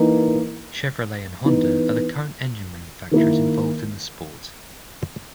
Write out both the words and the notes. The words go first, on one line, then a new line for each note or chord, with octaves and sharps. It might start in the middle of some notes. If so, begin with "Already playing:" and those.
Chevrolet and Honda are the current engine manufacturers involved in the sport.
Already playing: E3 A#3 D#4
E3 B3 D#4
D#3 A#3 E4